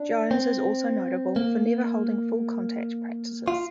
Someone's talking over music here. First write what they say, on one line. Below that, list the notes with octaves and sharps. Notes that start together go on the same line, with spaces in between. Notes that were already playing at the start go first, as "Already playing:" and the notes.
Jones is also notable for never holding full-contact practices.
Already playing: D4
C4
A#3
F4